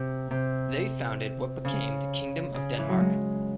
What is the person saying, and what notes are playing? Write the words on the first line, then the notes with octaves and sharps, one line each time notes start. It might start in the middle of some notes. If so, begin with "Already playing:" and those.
They founded what became the Kingdom of Denmark.
Already playing: C3
C3
C#3
C#3
E3
F#3
G#3